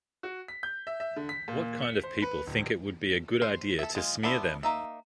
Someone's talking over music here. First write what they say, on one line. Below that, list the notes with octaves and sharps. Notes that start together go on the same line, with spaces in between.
What kind of people think it would be a good idea to smear them?
F#4
B6
G6
E5
E5
D3
B6
A#2
C#7
C5
B4
D1
C5
A4 E5
G#3 F4
B3 D4 E4 C5 D5
A#3 D#4 E5